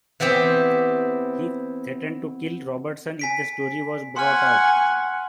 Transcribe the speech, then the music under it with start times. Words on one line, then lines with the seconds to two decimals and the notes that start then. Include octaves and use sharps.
He threatened to kill Robertson if the story was brought out.
0.20 E3 B3 C4 G4
3.19 G#5 B6 D7
4.16 F#5 G#5 C6 C#6 F6